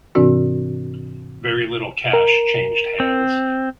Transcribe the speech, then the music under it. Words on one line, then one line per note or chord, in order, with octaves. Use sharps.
Very little cash changed hands.
G#2 C3 E3 C4 D4 F#4
A#4
C4